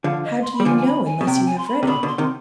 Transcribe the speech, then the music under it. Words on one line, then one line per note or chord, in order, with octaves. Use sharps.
"How do you know, unless you have read it?"
D3 F3 F5
D#5
C6
B5
G3
D3 F3 G#5
G#5
B5
G#5
B2
C3 G5
G#5
C6
B5
C3
B2 D3 B5
B2 D3
C6
C3 D#3